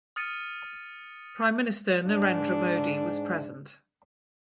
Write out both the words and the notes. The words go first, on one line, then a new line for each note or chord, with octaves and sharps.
Prime Minister Narendra Modi was present.
D#6 F6 A6 C#7 D#7
G#2 D4